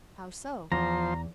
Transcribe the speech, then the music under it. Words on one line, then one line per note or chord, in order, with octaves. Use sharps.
"How so?"
E2 F3 C5 A#5